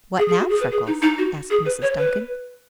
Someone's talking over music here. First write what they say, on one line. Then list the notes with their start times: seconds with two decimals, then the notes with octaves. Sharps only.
"What now, Freckles?" asked Mrs. Duncan.
0.18 G#4
0.28 G#4
0.39 F#4
0.49 G#4
0.60 B4
0.71 G#4
0.87 D#4
1.02 D#4
1.18 F#4
1.50 G#4
1.66 B4
1.82 C#5
1.98 B4